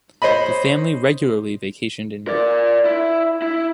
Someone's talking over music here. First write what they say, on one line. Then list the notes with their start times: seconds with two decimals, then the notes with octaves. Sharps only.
The family regularly vacationed in Europe.
0.22 C5 C#5 D#5 B5
2.28 A#4 D5
2.85 E4
3.42 E4